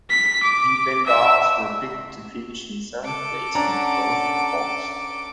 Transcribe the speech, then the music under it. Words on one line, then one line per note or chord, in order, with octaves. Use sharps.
The Bengals were picked to finish in seventh place in both polls.
B6
D6
E5 E6
A4 D6
C#4 D4 F#5 A#5